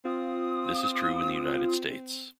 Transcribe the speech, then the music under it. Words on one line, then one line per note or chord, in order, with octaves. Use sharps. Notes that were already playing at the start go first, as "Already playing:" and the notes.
This is true in the United States.
C4 F4 D#6